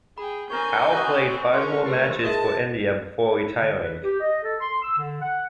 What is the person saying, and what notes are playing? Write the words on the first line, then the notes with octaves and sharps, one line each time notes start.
Ao played five more matches for India before retiring.
G#4 G5 B5
D3 C4 A#4 C#5 G#5 G6
F#4 D#5 B5 D#6 F#6
G#3 C#4 E4 A#4 G5 C#6
A3 G4 B4 C5
G#4 A#4 D#5 E5 A5
E4
D3
B4
G4
D#5
A4
C6
E6
D3
F#5